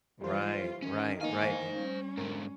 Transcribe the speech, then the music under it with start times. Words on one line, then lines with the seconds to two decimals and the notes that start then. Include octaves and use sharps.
Right, right, right.
0.21 E3 G3 F4 C5
0.82 D#3 E3 C#4
1.21 A#3 D#4 C5 F5 G#5
1.75 G3 C#4
2.18 G#2 D3 A#4